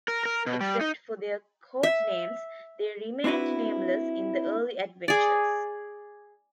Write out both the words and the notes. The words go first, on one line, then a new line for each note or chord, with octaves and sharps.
Except for their codenames, they remained nameless in the early adventures.
A#4
A#4
B2
G3
D#4
E5
C4 D4 E4 F#4 B4
G#4 D5